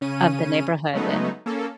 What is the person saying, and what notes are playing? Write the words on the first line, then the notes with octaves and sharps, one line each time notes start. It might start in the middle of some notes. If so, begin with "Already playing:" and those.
of the neighborhood.
C#3 C#4 D#7
C#3 F#3 G#3 A3 B3 D#4
A#3 C#4 A4